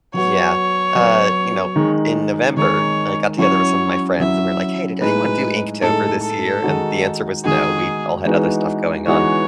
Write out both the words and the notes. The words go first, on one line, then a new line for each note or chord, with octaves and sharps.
Yeah, uh, you know, in November, I got together with some of my friends, and we're like, "Hey, did anyone do Inktober this year?" And the answer was "no," we all had other stuff going on.
F#3 B3 F#4 C#5
F#3 B3 F#4
D#3 G#3 D#4
D#3 G#3 D#4 C#5
F#3 C#4 E4 C#5
F#3 C#4 E4 E5
A2 G#3 D#4 B4
A2 G#3 D#4 A4
A4
D#3 G#3 D#4 F#4
D#3 G#3 D#4 F#4 G#4
E3 G#3 B3 D#4 F#4
E3 G#3 B3 D#4 F#4 C#5